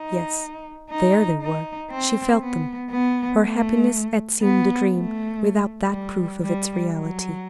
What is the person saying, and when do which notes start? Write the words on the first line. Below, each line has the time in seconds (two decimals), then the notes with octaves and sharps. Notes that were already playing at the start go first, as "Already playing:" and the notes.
Yes; there they were; she felt them. Her happiness had seemed a dream without that proof of its reality.
Already playing: D#4
0.90 D#4
1.41 D#4
1.91 C4
2.41 B3
2.91 B3
3.41 A3
4.42 B3
4.92 A3
5.91 G3
6.42 G3
6.93 F#3